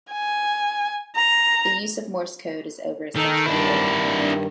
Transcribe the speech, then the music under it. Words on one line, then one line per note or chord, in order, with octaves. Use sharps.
The use of Morse code is over a century old.
G#5
A#5
D#3 D#4 A4
G2 D#3 D4 E4